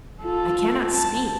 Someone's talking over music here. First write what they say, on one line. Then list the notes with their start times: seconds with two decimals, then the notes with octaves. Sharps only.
I cannot speak!
0.22 F4 A4
0.91 A5